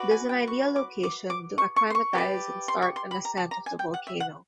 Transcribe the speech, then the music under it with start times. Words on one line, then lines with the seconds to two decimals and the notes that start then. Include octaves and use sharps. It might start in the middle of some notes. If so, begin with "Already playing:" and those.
It is an ideal location to acclimatize and start an ascent of the volcano.
Already playing: F#4 B4 D5
0.11 G#5
0.29 G5
0.47 C#6
0.76 D6
1.03 D6
1.30 D6
1.58 C#6
1.76 C#6
1.90 C6
1.95 C#6
2.13 G4 B4 D5
2.68 C6
2.82 C#6
2.96 C6
3.11 B5
3.25 A#5
3.37 A5
3.51 A#5
3.66 G#5
3.79 G5
3.94 F#5
4.07 E5
4.20 F#5